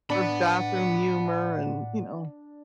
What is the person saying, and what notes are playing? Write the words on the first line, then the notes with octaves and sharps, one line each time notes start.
or bathroom humor, and, you know
A2 D4 F#5 B5